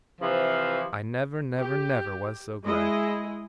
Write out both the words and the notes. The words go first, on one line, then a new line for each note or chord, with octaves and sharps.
'I never, never, never was so glad!
C3 E3 F3
G4
G#3 E4 G#4 D#5